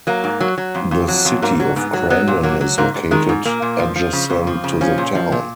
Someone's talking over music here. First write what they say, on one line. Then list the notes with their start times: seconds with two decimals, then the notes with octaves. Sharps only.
The City of Crandon is located adjacent to the town.
0.07 F#3 A#3
0.24 G#2
0.41 F#3
0.58 F#3
0.75 F2
0.91 F2
1.08 F#3
1.25 F2
1.42 G#2 A#3
1.60 F#3
1.76 G#2 B3
1.93 F#3
2.10 F#3 B3
2.28 A#2
2.43 F#3 A#3
2.61 F#3
2.78 G#2 A#3
2.94 G#2
3.11 D#3 G#3
3.29 G#2
3.45 A#2 A#3
3.62 A#2
3.79 F3
3.96 F3
4.13 C#3
4.30 F2
4.47 F3
4.64 C#3
4.81 F3 C#4
4.98 A#2
5.15 F3
5.32 A#2